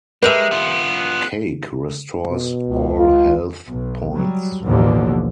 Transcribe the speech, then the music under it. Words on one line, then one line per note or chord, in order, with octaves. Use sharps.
Cake restores all health points.
G#3 G4 A#4 B4 E5 F7
B3 F4
B2
C#2
F4
B1
F#3 G3
A1 D#2 B2 D3 E3 F3